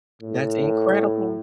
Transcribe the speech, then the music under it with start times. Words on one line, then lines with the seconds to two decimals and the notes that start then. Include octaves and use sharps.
That's incredible.
0.22 A2